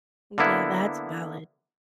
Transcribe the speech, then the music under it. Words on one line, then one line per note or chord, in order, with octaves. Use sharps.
yeah, that's valid,
D3 A#3 B3 E4